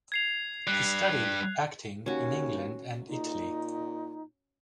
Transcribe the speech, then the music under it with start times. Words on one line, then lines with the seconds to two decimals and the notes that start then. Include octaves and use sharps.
He studied acting in England and Italy.
0.12 G#6 C7 F7
0.67 G2 G3 F#6
2.06 D#2 C#4 F#4
3.09 A#2 D#4